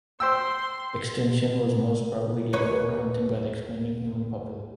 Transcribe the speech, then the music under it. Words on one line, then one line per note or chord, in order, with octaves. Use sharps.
Extinction was most probably due to overhunting by the expanding human population.
C5 G5 C6 E6
D#2 B4 C#5